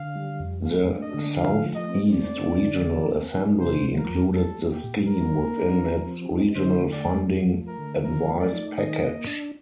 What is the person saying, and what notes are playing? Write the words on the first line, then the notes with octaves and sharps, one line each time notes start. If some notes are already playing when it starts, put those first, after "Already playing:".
The South East Regional Assembly included the scheme within its Regional Funding Advice package.
Already playing: D3 F5
G3
F2
A3 F5
D4
D#5
D3
F3 F5
A3
D#5
C4
A3 D5
D4
D3
F3
C4
D#4
C3 C5
F3
A#4
F2
G3 A4
A#3
G4
A#2
G3 A#4
A#3
D4
F3
C4
D#4
D3 C5
A3
D5
F2
F3
A3
A#4
D3
F3 A#4
A3
D5
D#4
D#3 D#5
A#3
D4